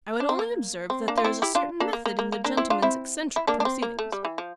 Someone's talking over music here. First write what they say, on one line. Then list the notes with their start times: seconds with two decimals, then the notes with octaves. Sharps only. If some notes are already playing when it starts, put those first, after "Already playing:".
I would only observe that there is a certain method in the gentleman's eccentric proceedings.
0.20 D4
0.29 C4
0.39 A#3
0.90 C4
1.08 A#3 D4
1.17 F4
1.24 C4 E4
1.42 E4 G4
1.55 D4 F4
1.80 A#3 D4
1.93 A#3
2.06 A#3
2.19 A#3
2.32 A#3
2.44 A#3 D4
2.57 C4 E4
2.70 D4 F4
2.82 C4 E4
3.36 E4
3.47 A#3 D4
3.60 D4
3.65 C4
3.82 A#3
3.99 A3
4.12 G3
4.25 E3
4.38 F3